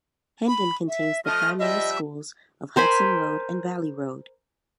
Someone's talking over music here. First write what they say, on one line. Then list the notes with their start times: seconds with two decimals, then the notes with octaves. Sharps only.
Hendon contains the primary schools of Hudson Road and Valley Road.
0.47 B5
0.88 E5
1.25 F3 A3 D#5 F6
1.59 F3 G3 D#5 E5
2.76 A#4 C5 G#5 B5